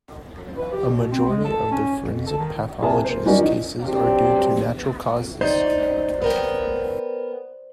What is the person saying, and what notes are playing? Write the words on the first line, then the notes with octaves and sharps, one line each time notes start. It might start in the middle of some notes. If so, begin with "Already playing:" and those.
A majority of the forensic pathologists cases are due to natural causes.
B4
G4
B2
C4
G#3
A4
C#4
F2
A4
D#3
C3 G#4 A#4 A5
A#3 C5
G3 C#4 D#4 F#4 A#4 D5
D#3 F3 D#4
F#3 C4 D4 G4
D#4 C5 D5
B3 A#4 G5